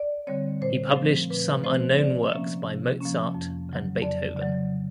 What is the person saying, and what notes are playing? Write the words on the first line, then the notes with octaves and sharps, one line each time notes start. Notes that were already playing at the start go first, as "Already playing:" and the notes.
He published some unknown works by Mozart and Beethoven.
Already playing: D5
D3 G3 C4 C#5
A#2 C5
F3 A3 C4
A#2 B4
F3 A3 C4 C5
C3 D5
F3 A#3 C#4 E5
C3
F3 A#3 C#4
F2
C#3 F#3
F2 D5
C#3 F#3 D5